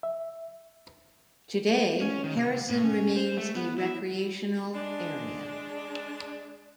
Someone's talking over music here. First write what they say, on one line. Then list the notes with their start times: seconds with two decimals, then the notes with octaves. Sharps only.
Today, Harrison remains a recreational area.
0.03 E5
2.01 C#4
2.24 D#3
2.36 C3
2.70 A2
2.84 C#4
3.16 C5
3.37 A3
3.56 B3
3.78 E4
4.74 G#3 D4